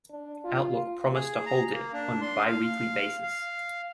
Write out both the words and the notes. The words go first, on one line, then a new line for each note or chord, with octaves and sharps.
Outlook promised to hold it on biweekly basis.
D4
F4
G#4
A#5
A#3
D4
C6
F5
F5